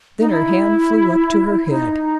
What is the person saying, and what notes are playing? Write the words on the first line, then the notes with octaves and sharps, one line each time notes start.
Then her hand flew up to her head.
D#4
E4
D#4